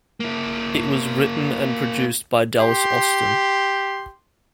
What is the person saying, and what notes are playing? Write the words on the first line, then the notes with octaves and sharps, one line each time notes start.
It was written and produced by Dallas Austin.
A#3 E4
G4 C6